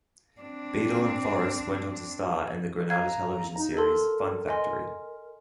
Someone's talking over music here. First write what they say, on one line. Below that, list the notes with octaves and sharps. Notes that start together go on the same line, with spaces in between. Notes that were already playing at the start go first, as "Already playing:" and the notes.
Beadle and Forrest went on to star in the Granada Television series "Fun Factory".
C4 D4
F5 A#5 F#6 G#6
D#4
A4 A#4 A5 C6
D#5 G#5 C6